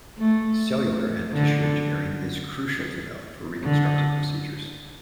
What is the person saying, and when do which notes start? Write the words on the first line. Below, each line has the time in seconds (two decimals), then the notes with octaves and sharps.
Cellular and tissue engineering is crucial to know for reconstructive procedures.
0.18 A3
1.33 D3
3.63 D3